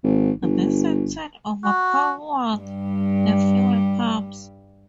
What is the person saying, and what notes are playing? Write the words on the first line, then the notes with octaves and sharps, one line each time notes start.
This in turn overpowered the fuel pumps.
G#1
G1
F#4
G2 G3